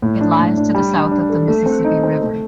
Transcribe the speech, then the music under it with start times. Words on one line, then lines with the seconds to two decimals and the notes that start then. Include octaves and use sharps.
It lies to the south of the Mississippi River.
0.02 A2
0.21 D4
0.39 A2
0.57 D4
0.75 G3
0.94 D4
1.11 D4
1.30 A4
1.48 A3
1.66 C4
1.84 D#4
2.04 C4
2.21 A3